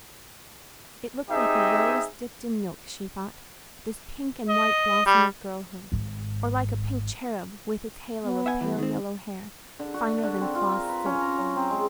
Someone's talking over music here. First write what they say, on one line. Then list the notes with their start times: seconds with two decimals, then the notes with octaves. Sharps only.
It looked like a rose dipped in milk, she thought, this pink and white blossom of girlhood, or like a pink cherub, with its halo of pale yellow hair, finer than floss silk.
1.30 C4 D#4 G4 G#4 D#5 E5
4.49 D#5
5.06 G3
5.92 G#1 G#2
8.23 B3
8.46 E5 F#5 G#5
8.61 G2 E3
8.78 D#3 C4
9.79 D3
9.94 F#4
10.23 D3
10.41 C4
10.55 F4
10.73 A#4
10.89 B4
11.05 C#4
11.21 A#5
11.38 F#3
11.56 C4
11.71 G#3